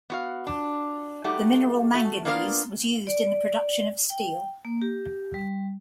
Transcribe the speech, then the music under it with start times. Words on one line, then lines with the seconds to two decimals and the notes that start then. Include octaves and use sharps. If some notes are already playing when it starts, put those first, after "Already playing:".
The mineral manganese was used in the production of steel.
0.10 B3 F#4 F5
0.47 D4
1.24 G3 A3 D#4 F#4 G4 F#5
1.94 A3 F#4 A4
2.25 A#3 B3 D4 F4 A#4 F5
3.07 D5
4.10 G5
4.65 A#3
4.82 G4
5.34 G3